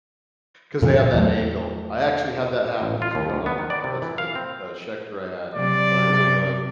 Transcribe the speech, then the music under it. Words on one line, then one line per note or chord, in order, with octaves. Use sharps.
'cause they have that angle. I actually had that happen to, um, a s a a Shechter I had, that I really love,
F2 A#2 D3 E3
E2 F#3 A3
A1
F4
D#2
D2
B3
D#3
D5
C3
E3
F5
C4
C3 F#3 D5